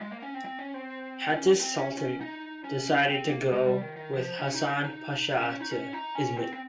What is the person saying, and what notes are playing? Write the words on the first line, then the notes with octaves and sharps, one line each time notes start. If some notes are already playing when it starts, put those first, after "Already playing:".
Hatice Sultan decided to go with Hasan Pasha to Izmit.
G#3
A#3
C#4
C4
C4
C#4
C4
C#4
C4
C#4
C#4
D#4
C#4
C4
A#3
G#3
G3
D#3
D#3
F3
C#4
D#4
C#4
D#4
C#4
C#4
D#4
C#4
D#4
C#4
C4
C4